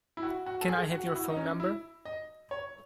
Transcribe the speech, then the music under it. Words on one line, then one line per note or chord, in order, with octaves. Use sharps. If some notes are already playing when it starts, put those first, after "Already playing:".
Can I have your phone number?
E4
F#4
F#4
A4
G#4
F#4
F#4
E4
D#4
C#4
E4
D#5
C#5